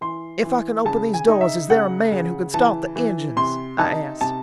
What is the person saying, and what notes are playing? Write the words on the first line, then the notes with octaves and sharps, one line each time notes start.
"If I can open these doors is there a man who can start the engines?" I asked.
E3 C6
E3
C#3 A5
G#5
D#4
E5
C#3 F#5
C#3
E3 A5
E3
C3 C6
D#4 A5
C3 A5